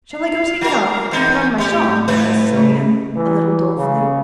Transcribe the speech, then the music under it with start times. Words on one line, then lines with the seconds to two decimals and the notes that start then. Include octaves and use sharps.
'Shall I go take it off, and put on my shawl?' asked Sylvia, a little dolefully.
0.15 F5
0.61 F#3 A#4
1.11 E2 D#4
1.58 A2 G3 G4
2.08 F2 E4 B4
2.52 C#3 A3
3.16 E3
3.77 C#3